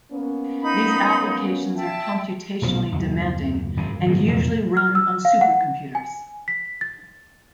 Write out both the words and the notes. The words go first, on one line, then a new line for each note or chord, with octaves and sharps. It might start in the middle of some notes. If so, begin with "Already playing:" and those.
These applications are computationally demanding and usually run on supercomputers.
A#3 B3 C#4
D#4 B5
E5 G5 A5
D#1 B1 B2 F3
F#1 D#2 F#3
G#1 F#2 C#3
G1 A2 G#3
F1 E2 A#2 A3
F6
E6
F5
F#5
G#5
B6
A6